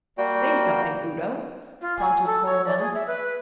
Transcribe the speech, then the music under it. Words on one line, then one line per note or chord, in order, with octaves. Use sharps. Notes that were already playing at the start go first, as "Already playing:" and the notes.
"Say something, Udo," prompted Coronel.
G3 A#3 F#4 G5
F4
G#5
A4
C#5
D5
G#4
E5
B4